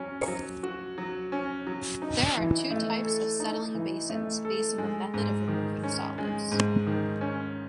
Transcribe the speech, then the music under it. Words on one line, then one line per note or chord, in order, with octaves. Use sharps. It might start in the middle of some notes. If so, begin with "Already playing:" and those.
There are two types of settling basins, based on the method of removing solids.
Already playing: F#3 C#4
F#3
F#4
F#3
C#4
F#3
D#4
E3
A3
A4
D#4
E3
A3
A4
G#3
G#2
D#3
C#4
G#3
G#2
D#3
C#4